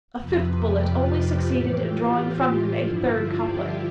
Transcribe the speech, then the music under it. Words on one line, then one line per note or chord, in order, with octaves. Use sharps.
A fifth bullet only succeeded in drawing from him a third couplet.
F2 C3 F3 B4
G4
F4
F4
A2 E3 G4
F4
F4
F4
G2 D3 F3 E4
F4
G4